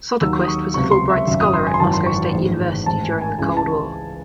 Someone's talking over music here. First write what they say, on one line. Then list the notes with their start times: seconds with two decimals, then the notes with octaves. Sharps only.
Soderquist was a Fulbright Scholar at Moscow State University during the Cold War.
0.21 D#2 D#3 F#3 E6
0.44 D#6
0.48 C#6
0.74 C#2 C3 F#3 C#6
0.91 C6
1.10 E5
1.27 G#1 F#2 C#3 E5
1.41 D#6
1.53 C6
1.67 G#5
1.74 C6
1.80 G#1 F#2 E3 A5
1.94 C6
2.06 C#6
2.33 A1 G#2 E3 G#3
2.86 A1 G#2 D#3 A5
3.03 G#5
3.21 G#5
3.39 C#2 C#3 E3 G#3 G#5
3.57 A5